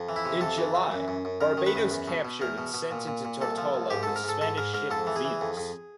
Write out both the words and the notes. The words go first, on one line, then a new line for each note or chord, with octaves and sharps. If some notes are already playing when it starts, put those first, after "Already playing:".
In July "Barbadoes" captured and sent into Tortola the Spanish ship "Venus".
Already playing: F2
E3
E4
C3
F2 A4
E3
E3
F#2
F#2
F#2
F#2 A#4
D#3
B4
F#2
E2
B2
B2
E2 A#4
B2
B2
A#2
A#2
A#2
C2 A4
F3
C2
G#2 G4
G#2 A4
A#4
G#2 A4
G#2 A4
G#2 A#4
G#2 A#4
F2 A4
E3
G#4
E3
F2
F2